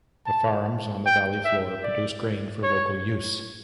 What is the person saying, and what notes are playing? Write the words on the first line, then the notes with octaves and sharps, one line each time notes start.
The farms on the valley floor produced grain for local use.
A5
G5
E5
D5
C#5